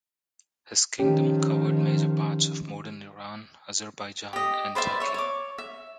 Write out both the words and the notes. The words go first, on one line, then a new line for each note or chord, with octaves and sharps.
His Kingdom covered major parts of modern Iran, Azerbaijan, and Turkey.
D#3 F3 C#4 G4
G4 D#5
B4 C5 D5 E5
C#5 E5
C#5 D6
E5